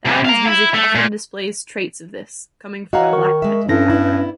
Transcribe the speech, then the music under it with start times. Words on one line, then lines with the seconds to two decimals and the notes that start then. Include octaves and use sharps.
Tharen's music often displays traits of this, coming from a black metal background.
0.06 C3 E3
0.25 F5 A#5
0.47 E4
0.74 A3
0.95 A#2
2.93 F#4 C#5 D#5 F5 F#5 A#5
3.13 D#3 A#4 C#6
3.42 G#3 E5
3.69 G2 C4 C#4 E4 A4 A#6
3.90 B3 D4 E4